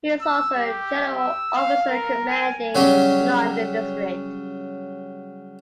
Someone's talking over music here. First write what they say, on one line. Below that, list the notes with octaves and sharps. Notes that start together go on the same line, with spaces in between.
He is also General Officer Commanding London District.
E6
G4
E6
F5
A#4
G#5
C#3 F#3 G3 C#4 G4